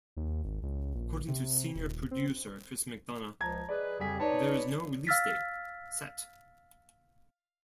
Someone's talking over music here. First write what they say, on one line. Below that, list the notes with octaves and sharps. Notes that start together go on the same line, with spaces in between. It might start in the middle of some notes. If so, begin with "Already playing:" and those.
According to Senior Producer Chris McDonough there "is no release date" set.
D#2
G#1
C#2
A#1
C3
D#1
C4
C#2 A#2 F3 A5 A#5 G#6
G#4 B4 D5 D#5
F2 C#3 G3 G#4 G#5 B6
D#4 B4 C#5 D5 A5
F5 E6 F6 A6 B6